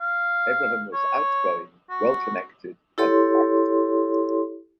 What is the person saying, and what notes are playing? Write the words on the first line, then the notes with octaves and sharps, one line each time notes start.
Abraham was outgoing, well-connected, and practical.
F5
C#5
F#4
E4 G4 A4 C#5 C6